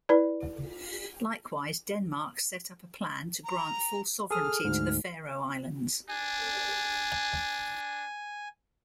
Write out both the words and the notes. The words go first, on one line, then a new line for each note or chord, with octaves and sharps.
Likewise, Denmark set up a plan to grant full sovereignty to the Faroe Islands.
E4 B4 D5
A#5
G#4 A4 D#6 F6
D2 G#2
D4 G#5